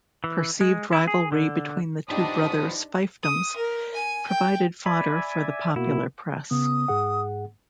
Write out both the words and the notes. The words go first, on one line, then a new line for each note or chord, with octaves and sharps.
Perceived rivalry between the two brothers' fiefdoms provided fodder for the popular press.
E3
G#3
E4
G#4
D3
F3 B3 D4 D#4 G4 D#5 D#6
D#6
A#4
G#5
G5
D5 E5 G#5 B5
B2 A#3 E4 F#4
C#3 B3 D#6
G#2 G#4 F#5